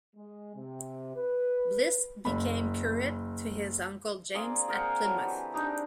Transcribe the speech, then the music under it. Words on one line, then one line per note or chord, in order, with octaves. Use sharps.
Bliss became curate to his uncle James at Plymouth.
G#3
C3
B4
F#1 B5
A#3 C4 G#4 D5
G#4 A#4 C5 F#5
F#3 E4 A4
E3 G4
D4 D#4 G4 G#4